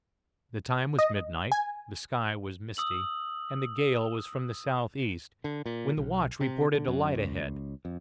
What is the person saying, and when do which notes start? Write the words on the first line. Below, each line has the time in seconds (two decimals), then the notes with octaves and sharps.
The time was midnight, the sky was misty, and the gale was from the south-east, when the watch reported a light ahead.
0.99 D#5
1.52 G#5
2.77 D#6 E6 F#7
5.44 D3
5.66 A#2
5.97 B1
6.40 C3
6.75 D3
6.88 F#2
7.15 C#2
7.85 F2